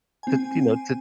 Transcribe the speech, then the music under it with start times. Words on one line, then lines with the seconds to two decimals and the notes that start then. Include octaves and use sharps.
to, you know, to
0.23 C4 G#5